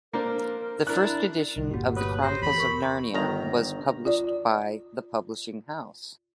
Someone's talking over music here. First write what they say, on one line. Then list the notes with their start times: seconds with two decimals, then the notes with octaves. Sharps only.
The first edition of The Chronicles of Narnia was published by the publishing house.
0.13 A#3 D4 A#4 C5
0.87 D4 E4 A#4 F#6
1.56 C2
1.71 G1 A#2 F#4 G4
1.96 A3 B4 C#5 D#6
2.22 G4 C5 A#6
2.42 E2 B5
2.58 A#4 C#6
3.14 G1 D#3 A#5
4.05 F4 D5